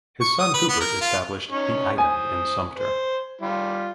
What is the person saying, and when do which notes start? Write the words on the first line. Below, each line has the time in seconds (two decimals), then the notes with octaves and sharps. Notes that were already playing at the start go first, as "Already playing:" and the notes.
His son Hubert established "The Item" in Sumter.
0.21 C#6
0.39 D#6
0.54 B4
0.69 B3
0.81 A#4
1.01 F4
1.51 C#4 D#4 C#5
1.98 C5 G#5 D#6
2.78 C5
3.41 G3 F4